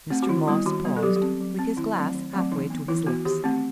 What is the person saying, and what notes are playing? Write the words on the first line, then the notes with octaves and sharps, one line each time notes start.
Mr. Moss paused, with his glass halfway to his lips.
A3 C4
F#4
D#3 E4
G3 B3 E4
D#3 F#4
G3 B3
A4
F#3 G4
G4
C4
F#3
C4
D#3 E4
F#3 A3 C4
D#3
F#3 A3 C4
E3 D#4
B3
E3 E4
B3 F#4
D#3 G4
A3 C4